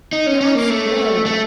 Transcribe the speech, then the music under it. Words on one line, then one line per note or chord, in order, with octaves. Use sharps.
That's good.
D#4
C#4
C#4
A#3
A3
A3